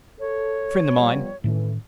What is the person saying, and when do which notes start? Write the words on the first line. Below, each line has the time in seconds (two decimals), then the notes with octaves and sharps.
Friend of mine.
0.20 A4 C#5
0.96 F3 G3 B3
1.44 A2 D#3 E3 A3 C#4